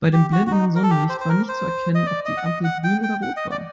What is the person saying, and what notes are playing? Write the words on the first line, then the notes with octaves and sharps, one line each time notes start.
Bei dem blendenden Sonnenlicht war nicht zu erkennen, ob die Ampel grün oder rot war.
G4
F#4
F#4
D#4
A#4
A4
G4
C5
C5
A#4
C5
D#5
D5
D#5
F#5
D#5
F#5
G5
G5
F#5
D#5
D5